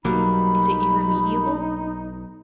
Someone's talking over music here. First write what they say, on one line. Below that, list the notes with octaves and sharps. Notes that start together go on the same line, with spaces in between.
'Is it irremediable?'
B1 F#3 G3 A#3 D#4 B5